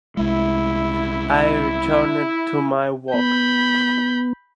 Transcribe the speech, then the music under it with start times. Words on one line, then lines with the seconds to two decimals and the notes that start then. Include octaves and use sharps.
I returned to my work.
0.17 C2 G#3 E4
3.14 B3 B5 G6